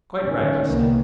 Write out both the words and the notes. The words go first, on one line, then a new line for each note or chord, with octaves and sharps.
Quite right, he said.
D3 D#3 C#4
C2 D#3 A#3 B3